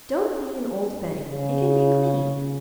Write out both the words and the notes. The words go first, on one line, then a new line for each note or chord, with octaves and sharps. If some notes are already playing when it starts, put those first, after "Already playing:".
'Don't be an old Betty; it can be cleaned.
G2
C#3